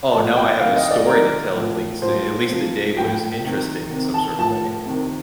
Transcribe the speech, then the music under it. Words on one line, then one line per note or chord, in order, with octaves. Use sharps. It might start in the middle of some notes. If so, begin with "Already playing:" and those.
"Oh, now I have a story to tell at least. Uh, at least the day was interesting in some sort of way."
A2 F3 A5
G5
C3 D#3 F5
D#5
D5
C3 D#3 A#4
A2 F3
A2 F3 C5
C3 F3
A2 F3 G5
C3 D#3
C3 D#3
A5
A2 F3 A5
C3 D#3